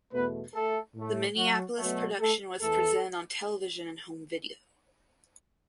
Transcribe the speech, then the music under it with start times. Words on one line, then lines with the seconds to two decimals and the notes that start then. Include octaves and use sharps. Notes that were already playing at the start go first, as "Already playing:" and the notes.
The Minneapolis production was presented on television and home video.
0.13 E2 B2 A3 B3 B4
0.54 A3 A4
0.95 A2 A3
1.37 F#3 F#4
1.78 B2 F#3 A3
2.20 A3 A4
2.61 E2 E3 A3 A4